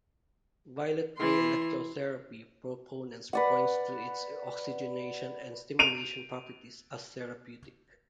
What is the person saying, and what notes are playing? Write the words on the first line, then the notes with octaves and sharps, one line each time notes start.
Violet ray electrotherapy proponents point to its oxygenation and stimulation properties as therapeutic.
E3 C6
B4 D5 F#5
D7 D#7 F7